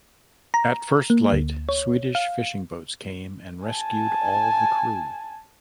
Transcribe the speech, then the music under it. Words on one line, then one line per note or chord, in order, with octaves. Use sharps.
At first light Swedish fishing boats came and rescued all the crew.
A#5
A#3
D2
C#5
F5
G#5 A5